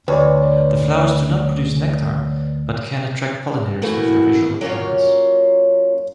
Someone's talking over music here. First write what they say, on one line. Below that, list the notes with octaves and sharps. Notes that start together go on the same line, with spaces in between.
The flowers do not produce nectar, but can attract pollinators with their visual appearance.
D2 B4 C#5 D5
E3 A3 A#3 E4 F#4
F#3 A#3 C#4 F4 C#5